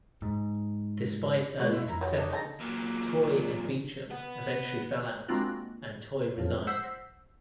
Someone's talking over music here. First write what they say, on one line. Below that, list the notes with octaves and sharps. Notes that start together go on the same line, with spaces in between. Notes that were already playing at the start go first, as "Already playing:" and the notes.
Despite early successes, Toye and Beecham eventually fell out, and Toye resigned.
G#2
G#3 A3 F4 F#4 C#5
B2 E4
F2 E4 A#5
F#3 G3 A3 C#5
D4 D#4 F#4
G#3 D#4 A4 G5 A#5
A#2 F#3
B3
G#3 A#3 C4 D4 F4 F#4
F2 A2 F3
C5 F#5 E6 G6 B6 C7